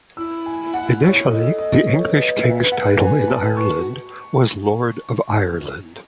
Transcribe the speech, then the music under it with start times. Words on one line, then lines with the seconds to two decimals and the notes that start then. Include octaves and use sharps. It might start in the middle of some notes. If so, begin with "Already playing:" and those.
Initially, the English king's title in Ireland was "Lord of Ireland".
0.17 E4 E6
0.46 G#5
0.74 F#5
1.02 C#5
1.30 A4 D#5
1.58 D#5
1.87 B4 C#5
1.99 A4
2.12 B4 D#5
2.43 E5
2.72 F#5
3.00 G#5
3.28 A5
3.57 C#6
3.78 F#4